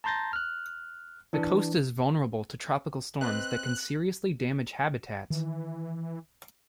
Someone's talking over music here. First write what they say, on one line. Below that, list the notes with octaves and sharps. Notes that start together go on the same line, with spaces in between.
The coast is vulnerable to tropical storms that can seriously damage habitats.
A5 A#5 C6 G6 A6 A#6
F6 F#6
E3 D4
C4 B4 D#5 F#6
D#3 E3